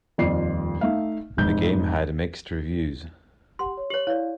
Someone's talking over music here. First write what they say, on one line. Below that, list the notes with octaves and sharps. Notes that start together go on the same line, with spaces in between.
The game had mixed reviews.
D#1 F2 F4 D5 C7
A3 D#4 E5 F5
F1 G#2 G6
G4 F#5 C6
C#5
G4 C#5 F#7
E4 C#5 D5 F5